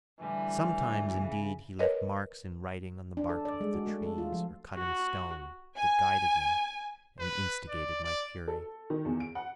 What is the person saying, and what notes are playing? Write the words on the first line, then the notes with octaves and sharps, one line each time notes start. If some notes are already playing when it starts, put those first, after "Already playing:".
Sometimes, indeed, he left marks in writing on the barks of the trees or cut in stone that guided me and instigated my fury.
A2 D3 E3 G3
C#3
A#4 B4 C#5 D#5
D4
A4
D5
G#3
F#4
A3
A4
F4
F3
F#4
G#5
B4
D5
D5
A4
D#3
E2
D7
F#5